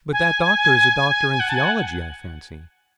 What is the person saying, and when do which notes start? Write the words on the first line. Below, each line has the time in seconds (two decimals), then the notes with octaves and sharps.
'But that doctor is a doctor in theology, I fancy.
0.13 G#5
1.40 F#5
1.49 A5
1.56 G#5
1.64 F#5